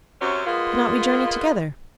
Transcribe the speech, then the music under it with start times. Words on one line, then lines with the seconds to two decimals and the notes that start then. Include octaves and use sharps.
Cannot we journey together?'
0.21 F#2 C3 F#3 C4 C#4
0.46 G#3 A#3 B3 F4